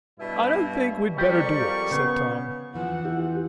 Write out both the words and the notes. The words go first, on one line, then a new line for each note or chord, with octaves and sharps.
"I don't think we'd better do it," said Tom.
G2 B2 E4
F2 F#3 G3 G4 A#4 D5 C#6
C#3 B3
E2 E3 F3 F#5
E4 G4